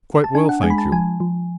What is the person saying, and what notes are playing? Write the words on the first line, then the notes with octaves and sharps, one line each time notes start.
"Quite well, thank you."
A5
D4 G#5
F#5
G#3 G#5
B5
A5
F3 G#5
F3